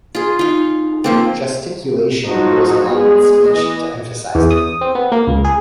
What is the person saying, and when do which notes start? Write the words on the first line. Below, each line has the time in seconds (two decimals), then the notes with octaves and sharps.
Gesticulation goes along with speech to emphasize it.
0.15 F4 G#4
0.39 D#4 F4
1.04 F3 A#3 C4
2.26 F3 F#3 D#4 F#4
2.92 G#3 B3 G#4
3.48 E3 D#5
4.35 E2
4.51 D#6
4.81 C4
4.95 B3
5.12 A#3
5.27 C#2
5.44 G#4